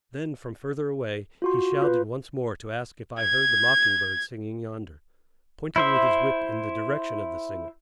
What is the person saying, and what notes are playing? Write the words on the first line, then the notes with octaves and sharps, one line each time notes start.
Then, from further away, he shouted once more to ask if I heard the mocking-bird singing yonder, pointing with his whip in the direction of the singer.
F4 F#4 C6
F4 B4
G#6
E4 C5 E5